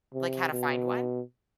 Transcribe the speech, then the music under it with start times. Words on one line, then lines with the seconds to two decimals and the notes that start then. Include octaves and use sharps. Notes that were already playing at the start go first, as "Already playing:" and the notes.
Like, how to find one?
0.13 C3
0.52 B2